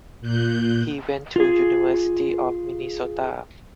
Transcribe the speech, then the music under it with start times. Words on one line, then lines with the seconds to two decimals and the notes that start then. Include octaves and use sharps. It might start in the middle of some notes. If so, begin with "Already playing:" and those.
He went to University of Minnesota.
0.21 A#2 F#6 G6
1.36 F4 G#4